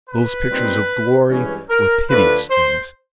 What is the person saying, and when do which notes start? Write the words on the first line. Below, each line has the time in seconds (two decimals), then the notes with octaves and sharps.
Those pictures of glory were piteous things.
0.09 B4
0.48 A#2 G3 C4 D#4
1.29 G2 E3 G#3 C#4
1.69 A#4
2.10 D3 F3 A3 D4 B4
2.51 C5